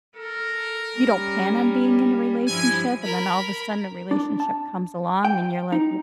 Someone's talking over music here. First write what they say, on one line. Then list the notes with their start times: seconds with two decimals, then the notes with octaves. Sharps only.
you don't plan on being in a relationship, and then all of a sudden, a relationship comes along, and you're like,
0.17 A4 A#4
0.96 G3 C#4
2.48 G2 F3 E4 G#5
3.03 A#4 B5
4.11 D4
4.40 A5
5.25 G5
5.72 D#4